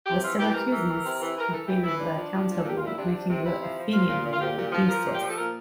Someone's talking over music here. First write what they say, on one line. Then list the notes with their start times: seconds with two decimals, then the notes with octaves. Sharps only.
The Syracusans completed their counter-wall, making the Athenian wall useless.
0.06 C3 G4
0.23 E3 F4
0.38 E3 G4
0.54 C3 A#4
0.70 E3
0.87 E3
1.02 C3
1.20 E3
1.35 E3 A#4
1.51 E3 A4
1.67 E3 G4
1.83 E3 E4
2.00 F3 D4
2.15 F3
2.31 F3
2.47 F3
2.56 A4
2.63 A#2 G4
2.77 A#2 F4
2.85 E4
2.96 C3 D4
3.12 C3
3.28 C3
3.44 C3 E4
3.60 F3
3.77 F3
3.92 A#2 F4
4.08 A#2
4.25 A#2
4.33 F4
4.41 A#2 G4
4.57 A#2
4.72 F3
4.89 F3 A#4
5.06 A#2
5.14 G4
5.22 F3
5.29 A4
5.38 A#2 A#4